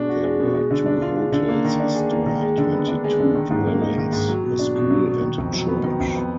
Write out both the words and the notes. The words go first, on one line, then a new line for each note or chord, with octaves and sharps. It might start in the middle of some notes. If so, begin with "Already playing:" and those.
There were two hotels, a store, twenty two dwellings, a school and a church.
Already playing: B2 G#3 D4
F#4
G#3
B2
G#3
D3
D4
F4
G#3
D3
A#3
D#3
D4
G#4
A#3
D#3
G#3
D3
B3
D4
G#3
D3
D#3
G#2
A#3
D#4
D#3
G#2
F#3
B2
D4
B2
F#3
B2
D#3
F2
F#3
B3
D#3
F2
B3